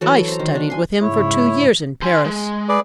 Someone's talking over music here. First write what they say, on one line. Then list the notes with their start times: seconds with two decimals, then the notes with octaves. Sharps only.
'I studied with him for two years in Paris.
0.01 E3 F#3 A4
0.17 A4
0.28 C5 A#5
0.39 D#3
0.53 A#3 D4
0.70 G#5 C6
1.01 G#2 C#3 E4 C#5
2.03 C5 G#5
2.25 G#3
2.69 G#4 B4 D5